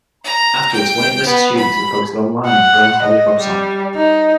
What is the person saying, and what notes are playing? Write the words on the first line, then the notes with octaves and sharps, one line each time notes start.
Afterwards, a waiting list of students is posted online on the Brown College website.
A#5
G5
B3
B5
F#5
D#5
G3
D#4